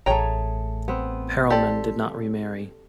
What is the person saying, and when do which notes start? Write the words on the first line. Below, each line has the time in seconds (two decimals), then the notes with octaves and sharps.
Perelman did not remarry.
0.06 A1 A3 G#4 C#5 G5 A#5
0.88 B3 C4
1.50 G4 A4 C5 D5